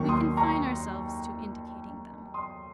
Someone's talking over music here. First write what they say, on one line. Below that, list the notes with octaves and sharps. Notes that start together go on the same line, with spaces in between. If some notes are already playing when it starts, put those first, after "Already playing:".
We confine ourselves to indicating them.
Already playing: D#2 D#3 F#3 C#6
C6 D#6
A#5 C#6
C6 D#6